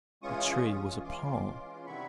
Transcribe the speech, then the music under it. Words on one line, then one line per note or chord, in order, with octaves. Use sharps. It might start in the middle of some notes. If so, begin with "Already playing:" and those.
The tree was a palm.
E3 G#3 C#4 F4 C#6 D#6
E3 G#3 C#4 F4
E3 G#3 C#4 F4 C6 D6
E3 G#3 C#4 F4
C6
C3 D#3 G3 B3 E4 B5 C#6